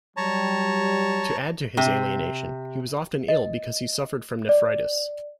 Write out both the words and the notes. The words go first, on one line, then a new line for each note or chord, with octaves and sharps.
To add to his alienation, he was often ill because he suffered from nephritis.
F#3 G3 C#5 A5 A#5
C3
D#5
D5